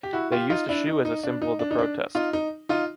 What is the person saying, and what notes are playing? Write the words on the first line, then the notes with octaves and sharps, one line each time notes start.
They used a shoe as a symbol of the protest.
G4
E4 F#4
F4 G4
D#4 F4
D4 E4
D#4
D#4
D4
D#4
D4
D#4
D4
D#4 F4
D#4
D#4 F4